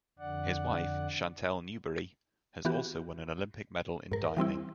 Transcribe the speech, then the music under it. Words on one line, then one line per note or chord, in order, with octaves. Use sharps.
His wife, Chantelle Newbery, has also won an Olympic medal in diving.
F2 D3 D5 F#5
E3 B3 F#4 G4
G#2 A#4
E3 G3 C4 E4